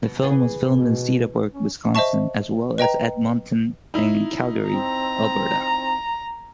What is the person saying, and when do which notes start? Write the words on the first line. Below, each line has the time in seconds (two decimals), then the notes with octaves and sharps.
The film was filmed in Cedarburg, Wisconsin, as well as Edmonton and Calgary, Alberta.
0.03 B2
0.22 E3 B3 G#4
0.74 B2
1.53 C#4
1.95 C5 D#5 E5 A5 C#6
2.78 B4 D#5 G5 A#5
3.94 D#4 E4
4.70 C4 A#5